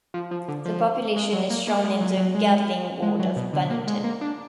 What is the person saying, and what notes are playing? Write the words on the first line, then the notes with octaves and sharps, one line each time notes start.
The population is shown in the Gedling ward of Bonington.
F3
F3
D3
F3
G#3
F#3
A#3
A#3
G#3
F#3
F#3
G#3
G#3
F#3
B2
D3
A#3
G#3
A#3
D4